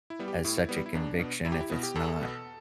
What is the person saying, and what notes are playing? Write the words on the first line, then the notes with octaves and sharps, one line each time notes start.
as such a conviction if it's not
E4
G3 B3
G4
A2 E4
G3 B3
E4
E2 D4
B2 B3
E2 E4
G4
E4
B2 B3
G4
E2 A4
B2 B3